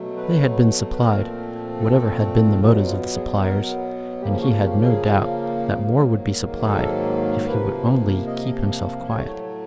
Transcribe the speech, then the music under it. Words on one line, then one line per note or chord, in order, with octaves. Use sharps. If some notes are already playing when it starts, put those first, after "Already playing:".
They had been supplied, whatever had been the motives of the suppliers; and he had no doubt that more would be supplied if he would only keep himself quiet.
Already playing: B2 F#3 A3
B4
B4
A#2 F3 A3 C4 A#4
A4
B2 F#3 B3 F4
F4
G#4
A#4
C#3 F3 A#3 G4
F#4
G4
G#4
G#2 D#3 F#3 A#3
A4
C3 F3 A#3 B4
D#5
A2 F#3 A3 C#5